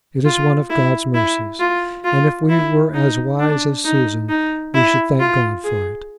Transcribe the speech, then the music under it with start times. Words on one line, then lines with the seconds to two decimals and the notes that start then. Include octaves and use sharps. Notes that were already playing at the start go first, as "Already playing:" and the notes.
It is one of God's mercies; and if we were as wise as Susan, we should thank God for it.
0.25 F4
0.70 E4
1.14 E4
1.59 F4
2.04 F4
2.50 E4
2.94 D#4
3.39 D4
3.85 D#4
4.29 D#4
4.74 E4
5.19 F4
5.65 G#4